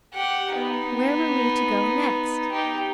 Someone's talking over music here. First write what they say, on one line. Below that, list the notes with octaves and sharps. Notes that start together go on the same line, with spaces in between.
Where were we to go next?
G4 F#5
B3 D#4
D#4 G4